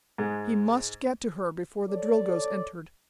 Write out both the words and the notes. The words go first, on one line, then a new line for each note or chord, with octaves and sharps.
He must get to her before the Drilgoes entered.
G#2 G#3
A4 C#5 D5